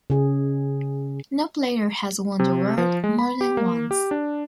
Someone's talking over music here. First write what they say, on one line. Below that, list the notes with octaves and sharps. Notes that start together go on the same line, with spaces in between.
No player has won the award more than once.
C#3 G#4
C3
F3
G#3
B5
G4
A#3
G4
D4